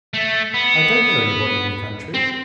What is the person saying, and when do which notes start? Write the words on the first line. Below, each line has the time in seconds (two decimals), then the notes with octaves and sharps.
I don't know anybody in the country.'
0.14 A3
0.54 B3
2.14 C4